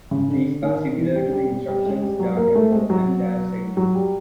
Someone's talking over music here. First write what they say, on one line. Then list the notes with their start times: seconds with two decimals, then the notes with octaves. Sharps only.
These are similar to the instructions da capo and dal segno.
0.11 C#3
0.28 D3
0.63 D#3
0.98 E3
1.15 G3
1.33 G3
1.50 G3
1.68 G3
1.86 G#3
2.02 G3
2.20 F#3
2.37 A#3
2.55 A3
2.72 G#3
2.90 F#3
3.77 F#3
3.95 G3